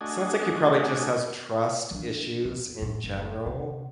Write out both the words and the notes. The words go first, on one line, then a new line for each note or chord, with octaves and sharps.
sounds like he probably just has trust issues in general,
A3 D4 F#4 D#5 G#5
E3 D4
E2
A2
F#1
C3